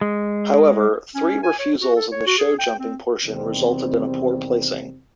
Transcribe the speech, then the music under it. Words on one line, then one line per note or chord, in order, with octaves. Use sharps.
However, three refusals in the show jumping portion resulted in a poor placing.
G#3
C#4
G#5
C#5
F#4
A4
C#5
F#4
G#4
G5
C4
E2 C3 D#3 G3 C4